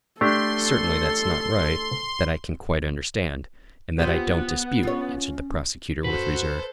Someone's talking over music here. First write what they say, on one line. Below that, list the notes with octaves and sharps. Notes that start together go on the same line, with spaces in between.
"Certainly, that's not right, that I can quite understand, and that I don't dispute," answered the prosecutor with reserve.
A3 D4 G4 A4 C6
B3 C4 F4 G4
C#4 F4 C#5
F#2 F#4 A4 B4 C5